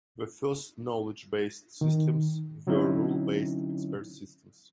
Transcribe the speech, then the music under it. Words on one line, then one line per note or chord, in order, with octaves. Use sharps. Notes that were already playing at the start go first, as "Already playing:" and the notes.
The first knowledge-based systems were rule based expert systems.
D#3
D3 F#3 C4 C#4 D#4 E4